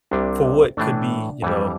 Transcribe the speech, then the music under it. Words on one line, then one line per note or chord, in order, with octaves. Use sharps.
for what could be, you know,
C2 C3 G3 D4
A2 E3 A3 D4
F2 E3 G3